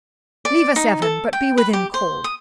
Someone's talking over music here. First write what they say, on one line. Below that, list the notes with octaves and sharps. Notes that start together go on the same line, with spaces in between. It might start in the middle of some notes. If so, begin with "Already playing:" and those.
Leave us, Evan, but be within call.'
D5
D#4
A4
G5
B4
G4
C5
D#6